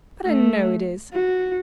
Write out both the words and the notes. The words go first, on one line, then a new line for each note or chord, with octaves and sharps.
But I know it is.
A3
F#4